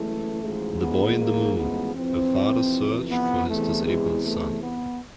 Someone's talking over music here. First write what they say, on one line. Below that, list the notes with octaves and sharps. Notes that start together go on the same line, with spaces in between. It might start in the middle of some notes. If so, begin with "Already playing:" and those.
The Boy in the Moon: A Father's Search for His Disabled Son.
Already playing: F#1 E2 C#3 E3 G#3 A3
A1 G#2 F3 G#3
B3
A#3
B3
F2 C3 E3 C4
B3
E2 C3 E3 A3
G#3
A3
B3